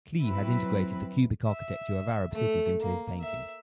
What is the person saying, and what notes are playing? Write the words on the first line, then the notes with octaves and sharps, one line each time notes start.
Klee had integrated the cubic architecture of Arab cities into his painting.
F#3 C4 E4 B4
E5
A3
A#3
E5